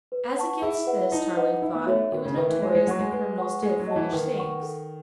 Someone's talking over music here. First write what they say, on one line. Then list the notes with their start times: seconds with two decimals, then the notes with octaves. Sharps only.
As against this, Tarling thought, it was notorious that criminals did foolish things.
0.12 B4
0.36 F#5 A5 C#6
0.62 E4 G#4
0.87 B4 F#5
1.12 D#4 E4
1.37 B4 D#5 F#5
1.62 D#4 E4
1.75 B3
1.87 A3 F#4 C#5 E5
2.12 D#3 F#4
2.25 C#3
2.37 D#3 B4 E5
2.49 E3
2.62 G#3 C#5
2.75 G#3
2.87 F#3 F#5 C#6
3.00 G#3
3.12 G#3 B4
3.38 F#5 C#6
3.62 G#3 G#4
3.79 F#3
3.88 D#5 F#5 A5
3.96 E3
4.12 D#3 B4
4.37 F#5 C#6
4.63 A4